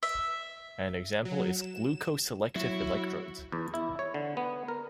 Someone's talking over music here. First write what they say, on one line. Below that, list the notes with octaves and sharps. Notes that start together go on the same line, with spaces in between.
An example is glucose selective electrodes.
E5
F#3
E7
F#3 E4 F#4 C#5
E2
E4
C#5
D3
B3
A#4